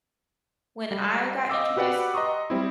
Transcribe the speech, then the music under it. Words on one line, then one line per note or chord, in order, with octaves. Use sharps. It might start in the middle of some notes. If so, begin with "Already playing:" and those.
when I got introduced
G3
D#5 F5 D6 E6
F#4 G4 B4 D5 F#5 G5
D#5 A#5 C6 C#6 D#6
G3 C4 E4